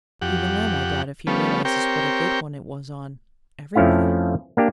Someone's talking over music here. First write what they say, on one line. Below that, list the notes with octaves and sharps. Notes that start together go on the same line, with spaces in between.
Even then I doubt if he realizes what a good one it was on--everybody.
F2 G4 F#5
F3 G3 A3 B3 C#4
C4 G4 A#4 C#5 G5
F2 F3 A3 C#4 E4 F5
A#3 D4 G4